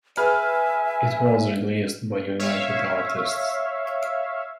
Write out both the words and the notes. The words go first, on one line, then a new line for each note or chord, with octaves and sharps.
It was released by United Artists.
G#4 B4 E5 G#5 F6
C#5 E5 F5